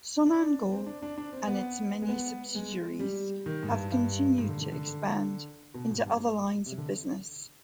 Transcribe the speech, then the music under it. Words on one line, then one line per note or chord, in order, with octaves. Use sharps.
Sonangol and its many subsidiaries have continued to expand into other lines of business.
D4
C4
D4
D4
D4
C4
B3
G#3
B3
G#3
G3
D#3
G#2
G2
G2
G#2
D3
D3
D3
B2
G#2
G2
C3
D3